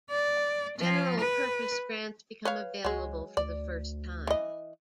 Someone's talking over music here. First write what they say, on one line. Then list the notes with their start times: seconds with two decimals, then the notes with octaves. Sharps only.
General purpose grants become available for the first time.
0.10 D5
0.78 F3
1.19 B4
2.45 B4 C#5 F5
2.85 C#2 F#3 G#3
3.37 D2 D5
4.27 E3 D#5